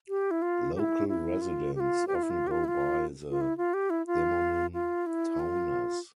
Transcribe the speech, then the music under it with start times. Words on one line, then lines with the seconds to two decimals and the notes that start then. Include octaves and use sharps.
Local residents often go by the demonym Towners.
0.09 G4
0.31 E4
0.42 F4
0.75 G4
0.79 E4
1.08 E4
1.41 F4
1.75 G4
1.80 F4
2.07 G4
2.15 F4
2.23 E4
2.30 F4
2.47 G4
2.51 F4
2.64 E4
2.68 F4
3.30 F4
3.41 E4
3.57 F4
3.74 G4
3.90 E4
4.07 F4
4.73 F4
5.06 E4
5.40 F4